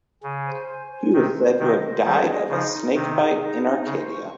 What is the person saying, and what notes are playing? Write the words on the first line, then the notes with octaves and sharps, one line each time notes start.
He was said to have died of a snakebite in Arcadia.
C#3 G#5
C5
G#5
C5
C3 D#3 C5
C5
C3 D#3 D#5
C5
D#3 G3 G#4
D#5
C#3 F3 D#4
D#4
C3 D#3 D#4
G#4
D#4
D#4
C#3 C5
C#6